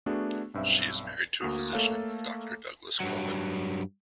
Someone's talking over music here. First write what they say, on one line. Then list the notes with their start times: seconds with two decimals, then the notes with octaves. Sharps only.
She is married to a physician, Doctor Douglas Coleman.
0.06 A3 B3 D4 F#4 G#4
0.54 B1 G2 C4 E5
1.41 D2 A#3 F#4 D#6
1.73 A3 A#3 A4 C#5 F5
3.00 G2 F#3